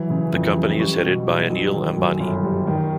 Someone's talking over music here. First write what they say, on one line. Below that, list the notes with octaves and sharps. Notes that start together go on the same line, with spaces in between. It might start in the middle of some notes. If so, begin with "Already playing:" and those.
The company is headed by Anil Ambani.
Already playing: E3 F#3
C#3
F2
G3
G3 C#6
B2
B1
B1
D#3
F#2
G1
G3
D#3